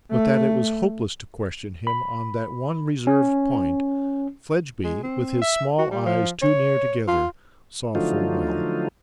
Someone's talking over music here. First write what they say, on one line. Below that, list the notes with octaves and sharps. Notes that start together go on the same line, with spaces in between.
But, that it was hopeless to question him on that one reserved point, Fledgeby, with his small eyes too near together, saw full well.
A3
B5
C#4
G#3
C4
E5
F#4
G3
F3
C#5
F4
D3 F3 F#3 A3 D#4 F4